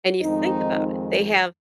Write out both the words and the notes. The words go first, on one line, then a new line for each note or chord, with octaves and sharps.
and you think about it, they have
F2 D#3 G#3 C4 D#4